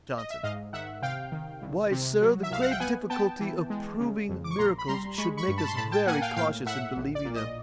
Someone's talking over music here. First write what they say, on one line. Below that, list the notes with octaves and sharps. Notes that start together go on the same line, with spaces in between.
JOHNSON. 'Why, Sir, the great difficulty of proving miracles should make us very cautious in believing them.
D#5
E5
G#2 D#5 F5
D#3 E5 F#5
C3 F5 G5
D#3
C2
C3
F#3
E5
C2 F5
F#5
G5
B3 F#5 G#5
B3 G5 A5
E3
G#3
C#3
F2
D6
C#6
A#1 A#5 C6
B5
G3 A#5 C6
G#3 B5 C#6
B5 C#6
G2
A5 B5
C6
A2 A5 B5
G5 A5
A#3 F#5 G#5
F5 G5
A2 F5 G5
A2 E5 F#5
A#1
D5
A#2
D#5